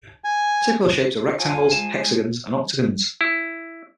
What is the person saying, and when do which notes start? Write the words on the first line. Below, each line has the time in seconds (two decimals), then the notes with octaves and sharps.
Typical shapes are rectangles, hexagons, and octagons.
0.24 G#5
1.38 F3 G#5
1.72 G#3 E7
3.21 E4